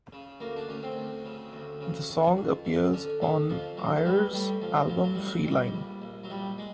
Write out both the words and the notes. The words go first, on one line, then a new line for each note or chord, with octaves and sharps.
The song appears on Eyre's album "Feline".
C#3
D2 A#3
D4
D2 C#4
C4
D2
C#3
D2
C#3
F2
F2
D3
D3 C#4
D3 A3
F2 F3
A1 F#3
F#3
E3 G3
A2 G3
A1 F3
F#3
A1 F3
F#3
A1 G3
F#3
G#2 G3
A#1
A#1
F#3
A#1 G3
G#3